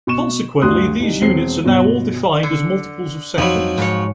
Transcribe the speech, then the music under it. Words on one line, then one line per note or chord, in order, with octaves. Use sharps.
Consequently, these units are now all defined as multiples of seconds.
B2 C#6 E7
D2 G2 F#4 C6 D#6 F#6
C2 D#4
E1 C4 C7
G1 B2
D3
F2 F3 F#3 D#4 B5
F2 G#2 C#5